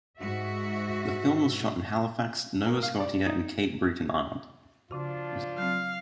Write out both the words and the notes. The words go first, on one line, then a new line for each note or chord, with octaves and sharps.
The film was shot in Halifax, Nova Scotia and Cape Breton Island.
G#2 F#4 E5
A#3
F5
D5
D#4
C#3 F3 D4 F4 F#4
F#3 C4 F5